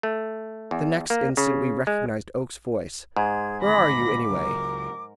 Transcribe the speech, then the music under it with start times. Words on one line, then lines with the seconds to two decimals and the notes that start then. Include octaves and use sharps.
The next instant we recognized Oakes's voice: "Where are you, anyway?"
0.03 A3
0.71 E2
1.10 A#3
1.37 C#3
1.87 G#3
3.17 G#2 G#4 G#6
3.63 G#1 D2 B5 D6 A#6
4.30 C#2 F#3 A#4